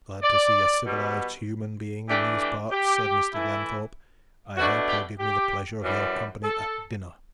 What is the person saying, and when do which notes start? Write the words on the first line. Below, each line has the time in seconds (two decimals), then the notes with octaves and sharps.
'Glad to see a civilised human being in these parts,' said Mr. Glenthorpe. 'I hope you'll give me the pleasure of your company at dinner.
0.22 D5
0.84 B2 G3 B3
2.08 E3 A3 D4 G4
2.40 G4
2.71 G4
3.33 E3 A3 E4
4.57 B2 A3 D4 F#4
4.89 G4
5.19 G4
5.81 F#2 E3 G3
6.43 A4